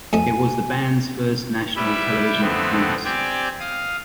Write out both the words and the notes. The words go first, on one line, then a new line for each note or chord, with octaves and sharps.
It was the band's first national television performance.
F2 A3 D#5 G#5
G3 E4 G4 B4 E5
F2 D3 A3 B3 C4
C4 G4 D5 G5 G#5
F5 D#6